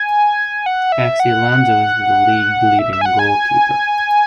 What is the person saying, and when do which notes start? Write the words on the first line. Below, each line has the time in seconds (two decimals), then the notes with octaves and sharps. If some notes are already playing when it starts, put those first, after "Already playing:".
Caccialanza was the league leading goalkeeper.
Already playing: G#5
0.66 F#5
0.92 E5
1.20 F#5
2.79 E5
2.93 E5
3.01 G#5
3.05 F#5
3.19 G#5